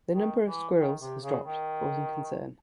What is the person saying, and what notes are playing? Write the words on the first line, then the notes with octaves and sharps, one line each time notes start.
The number of squirrels has dropped causing concern.
D#3
E3
D#3
C3
C#3
D#3